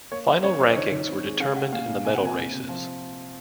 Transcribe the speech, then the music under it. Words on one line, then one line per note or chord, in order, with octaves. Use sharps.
Final rankings were determined in the medal races.
A#3 C#5
F3
C#4 C#5
F3 C5
D#5
D#3 C#5
D#3
C4
G#3
C#4 F5
G#3 F#5
A#2 F5
A#2
C3 G#5
F#5
C3 G#5
A#3
C3
F3